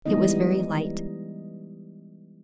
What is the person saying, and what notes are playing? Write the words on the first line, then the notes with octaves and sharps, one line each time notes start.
It was very light.
E3 G3 G#3 B3 D#4 D#5